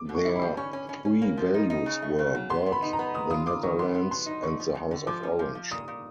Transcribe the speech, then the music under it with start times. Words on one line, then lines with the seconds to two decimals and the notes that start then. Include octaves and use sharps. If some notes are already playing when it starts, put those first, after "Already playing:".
Their three values were "God, the Netherlands, and the House of Orange".
Already playing: D6
0.09 B2
0.15 C#6
0.25 E4
0.36 B5
0.42 G3
0.57 C#4 C#6
0.73 C#4
0.89 C#4
1.05 C#4
1.22 A#3
1.37 F3
1.54 D#4
1.70 D#4
1.86 C#3
2.02 A3
2.19 C#3
2.35 F#3
2.50 B3 C6
2.66 B3
2.72 B5
2.82 D#4
2.93 A#5
2.99 B3
3.14 G#3 D#6
3.30 F4 D#6
3.46 F4 D6
3.63 D#3 C#6
3.79 B3 C6
3.94 B3
4.11 F#3 C6
4.26 D#4
4.43 D3 C#6
4.60 F3
4.75 F2
4.91 D3
5.07 F3 D6
5.23 C#4
5.39 F3
5.55 F3
5.71 A#2 D#6
5.88 A#2